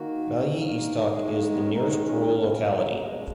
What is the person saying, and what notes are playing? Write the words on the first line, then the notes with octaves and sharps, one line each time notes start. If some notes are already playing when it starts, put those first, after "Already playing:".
Maly Istok is the nearest rural locality.
Already playing: D#3 A#3 F#4
D#3 A#3
A#4
A#4
A#4
D#3 G#3 G#4
E4
A#3
B3
C#4
D#3 G#3 D#4
B3
C#4
B2 A#3
D#4
D#4
B2 G#3 B3
C#4